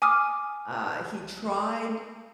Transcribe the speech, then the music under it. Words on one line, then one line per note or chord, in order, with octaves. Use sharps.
Uh, he tried
G#5 D6 D#6 F6